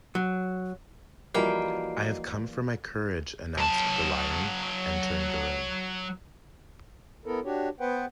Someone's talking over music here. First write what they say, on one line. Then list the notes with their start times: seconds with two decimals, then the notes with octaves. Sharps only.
"I have come for my courage," announced the Lion, entering the room.
0.15 F#3
1.34 E3 F3 G3 A#3 F#4 D#5 G5 C7
3.58 F#3 A5
7.26 B3 E4 A4 A#4
7.44 D4 F#4 G4 C#5
7.80 B3 B4 C5 F#5 G5